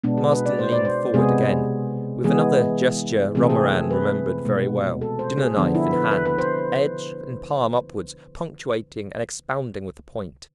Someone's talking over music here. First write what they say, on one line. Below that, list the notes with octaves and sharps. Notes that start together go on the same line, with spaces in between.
Marsden leaned forward again, with another gesture Romarin remembered very well--dinner knife in hand, edge and palm upwards, punctuating and expounding with the point.
B2 G#3 B3 D4
G#4
B4
D5
C5
D5
C5
C3 G#3 B3 G#4
E3 G#3 B3 G#4
C3 E3 A3 C4 G#4
A4
G#4
B4
B2 G#3 B3
A4
C5
G#4
D3 F3 B3 D4
E4
B4
B4
B4
C5